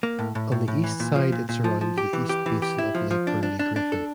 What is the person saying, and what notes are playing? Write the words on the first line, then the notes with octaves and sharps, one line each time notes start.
On the east side it surrounds the East Basin of Lake Burley Griffin.
A#3
A2
A2
A2
A2
E3
A#2
F3
A#2
A#2
F3
F3
G4
E3
G4
E3
G4
E4
F3
F3
D4
D4
D4
D4
A4